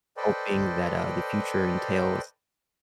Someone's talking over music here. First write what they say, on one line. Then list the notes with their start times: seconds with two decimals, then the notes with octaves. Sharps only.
hoping that, uh, the future entails,
0.17 A4 B4 C5 D5 D#5 G5